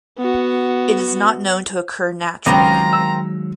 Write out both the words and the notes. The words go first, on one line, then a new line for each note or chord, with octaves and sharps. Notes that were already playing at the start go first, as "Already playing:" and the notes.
It is not known to occur naturally.
B3 F#4
C#2 D#3 F#3 G#3 C4 F4 A#4 A#5
E6